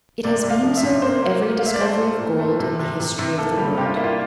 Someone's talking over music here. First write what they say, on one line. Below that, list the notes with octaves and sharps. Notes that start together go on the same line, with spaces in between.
It has been so with every discovery of gold in the history of the world.
C3 D5
C3
F5
F3
E5
C3
A#3 C5
A#3
A#3
F5
A#3 E5
D5
A3 C5
A#2
A#2
A3
C3
C3
C3
C3
A#3 A4
G3
C3 G4
F4
A#3 E4
F4